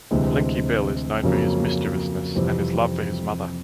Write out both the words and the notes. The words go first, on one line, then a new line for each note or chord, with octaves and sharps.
Blinky Bill is known for his mischievousness and his love for his mother.
D2 C3 E3 G#3 C4
F2 C#3 F#3 A#3 C#4
F2 C3 E3 G3 C4